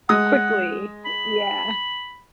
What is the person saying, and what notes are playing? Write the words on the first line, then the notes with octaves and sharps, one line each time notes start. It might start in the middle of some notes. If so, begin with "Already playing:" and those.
quickly. Yeah.
G#3 F#5 D#6
B5